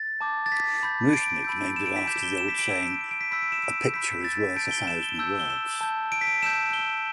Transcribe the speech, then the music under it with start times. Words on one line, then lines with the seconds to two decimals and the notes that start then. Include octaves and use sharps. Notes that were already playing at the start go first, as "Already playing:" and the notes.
Muchnick named it after the old saying "a picture is worth a thousand words".
Already playing: A6
0.21 A5 D6 G6
0.46 A6
0.52 B6
0.83 B5 G6
1.13 D7
1.44 B5 E6 G6
1.76 E7
1.86 D7
1.96 B6
2.07 A5 D6 G6 E7
2.23 G7
2.38 E7
2.48 B6
2.59 D7
2.70 A5 E6 G6 E7
3.01 D7
3.11 D7
3.21 B6
3.31 B5 E6 G6 B6
3.42 D7
3.52 E7
3.63 D7
3.94 B5 E6 G6 B6
4.24 A6
4.40 B6
4.56 A5 G6 D7
4.71 G7
4.87 E7
5.03 G7
5.19 A5 E6 G6
5.40 G7
5.49 E7
5.81 A5 G6
6.12 D7
6.21 B6
6.27 D7
6.42 A5 E6 G6 E7
6.73 G7